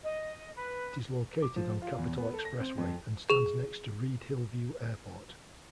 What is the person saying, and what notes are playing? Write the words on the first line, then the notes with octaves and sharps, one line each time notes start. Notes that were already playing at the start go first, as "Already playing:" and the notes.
It is located on Capitol Expressway and stands next to Reid-Hillview Airport.
D#5
B4
D6
F3
F4
E2
B3
A4
A#6
C4
F2
G#4 F7